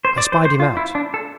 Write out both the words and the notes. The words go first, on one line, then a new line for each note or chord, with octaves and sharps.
I spied him out! ...
C5
D5
C5
C5
F4
E4
D4
A4